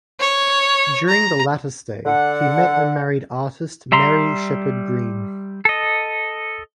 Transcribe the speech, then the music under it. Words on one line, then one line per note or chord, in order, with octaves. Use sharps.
During the latter stay, he met and married artist Mary Shepard Greene.
C#5
A#5
D3 F#5
G3 E5 A#5 C6
A4 D#5